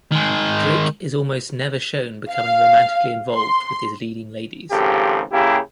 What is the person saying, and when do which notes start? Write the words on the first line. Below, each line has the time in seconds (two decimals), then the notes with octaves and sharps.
Drake is almost never shown becoming romantically involved with his leading ladies.
0.12 D#3 G#3
2.30 F5
3.33 C6
4.71 G#1 C#3 F3 G4 A4
5.32 C#3 A#3 E4 G4